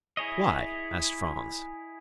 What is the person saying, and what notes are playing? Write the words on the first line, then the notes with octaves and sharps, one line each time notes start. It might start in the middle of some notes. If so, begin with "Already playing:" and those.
"Why?" asked Franz.
E4 G#4 C#5 D#5